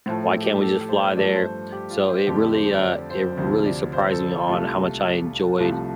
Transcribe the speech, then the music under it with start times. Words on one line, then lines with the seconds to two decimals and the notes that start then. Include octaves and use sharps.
Why can't we just fly there?" So it really, uh, it really surprised me on how much I enjoyed
0.06 A2 F3 A3 C5
0.25 A4
0.43 G4
0.62 A4
0.89 C5
1.17 G2 F3 A3 D5
1.36 C5
1.72 G4
1.90 F4
2.10 C5
2.27 F2 D3 F3 A3 G4
2.55 C5
2.82 D5
3.10 C5
3.37 D2 C3 F3 C5
3.65 D5
3.93 C5
4.11 A4
4.30 F4
4.48 C2 C3 A3 F4
5.59 C2 C3 F3 A3 F4